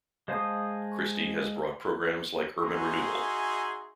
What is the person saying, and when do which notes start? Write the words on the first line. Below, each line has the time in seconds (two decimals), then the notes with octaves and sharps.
Christie has brought programmes like Urban Renewal.
0.28 G#3 C5 F5 A5 D#6
2.61 D#4 F#4 G#4 E5 G#5 C6